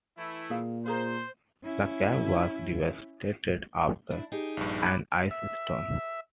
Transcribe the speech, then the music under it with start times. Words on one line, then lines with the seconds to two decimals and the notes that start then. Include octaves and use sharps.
The camp was devastated after an ice storm.
0.16 E3 A3 E4
0.50 A#2 G#4 F5
0.86 F4 G#4 A#4 C5
1.64 C#4 E4
4.10 D4 E4
4.32 D#4 G4 G#4
4.57 A#1 G2
4.82 B5 D6 F#6
5.31 E5